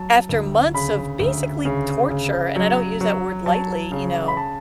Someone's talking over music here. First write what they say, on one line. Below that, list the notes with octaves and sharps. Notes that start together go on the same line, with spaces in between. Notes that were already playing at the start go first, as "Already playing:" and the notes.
After months of basically torture, and I don't use that word lightly, you know,
Already playing: F#3 A5
D2
C#3 B5
D2
C#3
C#3
F#3
F#3
F#3 A5
C#3
B5
A5